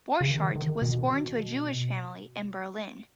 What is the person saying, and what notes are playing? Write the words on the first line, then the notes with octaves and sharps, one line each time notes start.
Borchardt was born to a Jewish family in Berlin.
C#3
D#3
D#3
B2